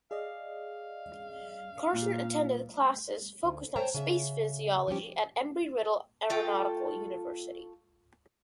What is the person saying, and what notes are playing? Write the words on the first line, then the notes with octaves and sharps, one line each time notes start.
Carson attended classes focused on space physiology at Embry–Riddle Aeronautical University.
G#4 D5 D#5 F5
A#2
D2
C5 C#5 G5 A5 A#5
C#3 E5
F3 G3 C#4 G4
A3 F4 A4 G5